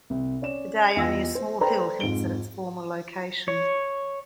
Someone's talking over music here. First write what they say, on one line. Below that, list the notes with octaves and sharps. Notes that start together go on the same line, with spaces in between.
Today, only a small hill hints at its former location.
C2
C#4 D5 E7
E2 F4 D#5 G5 E6 A#6
C5
A4 B4 C5 D5 G5 A#5
F2 G#2 F4 D7 G7
C#5